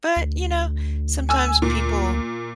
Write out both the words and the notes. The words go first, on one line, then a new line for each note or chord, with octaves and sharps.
But you know, sometimes people
D2
G#5 E6
A#2